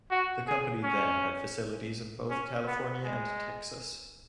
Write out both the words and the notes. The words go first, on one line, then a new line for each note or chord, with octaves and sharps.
The company then had facilities in both California and Texas.
F#4
G#4
C#4
C#4
B3
G#3